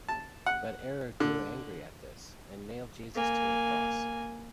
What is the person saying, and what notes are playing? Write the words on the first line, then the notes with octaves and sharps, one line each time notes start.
But Error grew angry at this, and nailed Jesus to a cross.
A5
F#5
D3
A#3 G#5